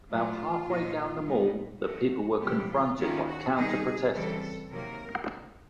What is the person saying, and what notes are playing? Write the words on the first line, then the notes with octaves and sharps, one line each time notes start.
About halfway down the Mall the people were confronted by counter-protesters.
A2 F#3 A3 F4
A#2 F#3 A#3 D#4
A#2 G3 B3 D#4
F3 A3 C4 D#4 F#4
C3 E3 G3 B3 G4
F4
D#3 F#3 A#3 C#4 E4 F4
F#4
D#3 G3 C4 D#4 G#4
C#3 E3 G3 C4 A4
C3 D#3 F#3 A#3 A#4